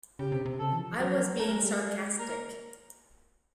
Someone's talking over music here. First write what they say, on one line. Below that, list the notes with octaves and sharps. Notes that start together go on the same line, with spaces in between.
I was being sarcastic.
C#3 G4
C3
C3
C#3 A4
E3
F3
F#3 A#4
A3 A#4
G#3
G3
G#3
G#4
A#3 A#4